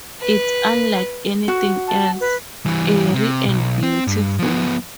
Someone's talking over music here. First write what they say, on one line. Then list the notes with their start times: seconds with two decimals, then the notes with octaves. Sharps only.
It's unlike anything else; eerie and beautiful.
0.22 B4
1.48 F#4
1.87 A5
2.21 B4
2.66 E3 G3
3.14 C3
3.48 B1
3.83 C4
4.07 G2
4.39 F3 B3